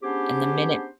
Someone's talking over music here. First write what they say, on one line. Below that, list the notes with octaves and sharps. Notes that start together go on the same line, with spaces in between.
And the minute
B3 C#4 D4 G4 G#4 C5